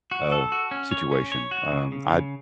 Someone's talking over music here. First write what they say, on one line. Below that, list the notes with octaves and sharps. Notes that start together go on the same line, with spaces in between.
uh, situation. Um, I
F#4
A4
F#4
C#4
C#5
C#4
C#5
F#4
C#3
C#3
C#3